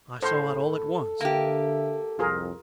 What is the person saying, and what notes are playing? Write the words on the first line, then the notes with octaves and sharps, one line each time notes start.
I saw it all at once.
A2 A4 C5 C6
D3 A#3 G4 E5
C2 F2 F4 G#4 A#4